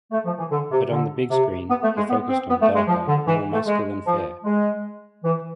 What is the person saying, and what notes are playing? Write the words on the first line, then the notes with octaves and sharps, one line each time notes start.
But on the big screen, he focused on darker, more masculine fare.
A3
F3
E3
D3
C3
D3
C3
B3
A3
G#3
B3
C4
B3
A3
G#3
F3
D3
E3
A3
G#3
F3
G#3
E3